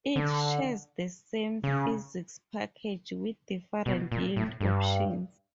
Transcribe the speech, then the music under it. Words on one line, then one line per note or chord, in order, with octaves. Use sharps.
Each shares the same "physics package", with different yield options.
D3
C#3
B2
A#2
A2
G2